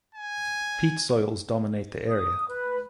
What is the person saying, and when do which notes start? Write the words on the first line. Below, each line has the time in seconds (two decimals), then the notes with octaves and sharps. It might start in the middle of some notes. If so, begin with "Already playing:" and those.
Peat soils dominate the area.
0.15 G#5
2.08 D#6
2.48 B4